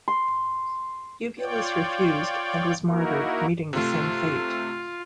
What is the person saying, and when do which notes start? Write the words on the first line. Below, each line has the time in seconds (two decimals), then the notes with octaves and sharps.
Eubulus refused, and was martyred, meeting the same fate.
0.08 C6
1.39 F4 C#5 D5 G5
2.87 A#3 D#4 E4 F#4 A#4
3.73 C3 A3 F4